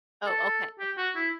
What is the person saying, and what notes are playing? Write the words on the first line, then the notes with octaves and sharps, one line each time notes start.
Oh, okay, okay.
A4
G4
F#4
E4